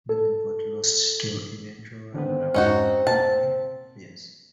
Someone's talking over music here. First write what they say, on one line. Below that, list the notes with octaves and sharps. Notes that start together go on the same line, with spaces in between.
Davenport lost to eventual runner-up Mary Pierce.
A4
D3 D#3 B3 C4
F2 G#2 G#3 C#4 D#4 F#4
B2 A#3 A5